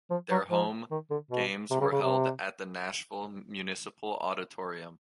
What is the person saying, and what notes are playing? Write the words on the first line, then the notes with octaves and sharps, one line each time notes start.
Their home games were held at the Nashville Municipal Auditorium.
F3
F#3
F3
D#3
D3
B2
C3
C#3
C#3
C3